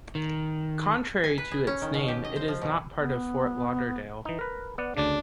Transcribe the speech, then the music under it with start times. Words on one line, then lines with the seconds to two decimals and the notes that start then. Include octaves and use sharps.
Contrary to its name, it is not part of Fort Lauderdale.
0.15 D#3
1.24 G#5
1.38 B4
1.51 G#4
1.67 C#4
1.82 D#3
1.94 B2
2.08 G4
2.24 D#5
2.36 C5
2.48 F3
2.61 B2
2.99 B3
4.25 E3 D#4
4.39 A#4 B4
4.78 B3 D5 F#5
4.97 D2 C#3 D4